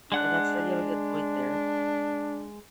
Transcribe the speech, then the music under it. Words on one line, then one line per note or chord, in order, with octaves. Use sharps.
And that's you have a good point there.
G#3 D4 F#5 F#6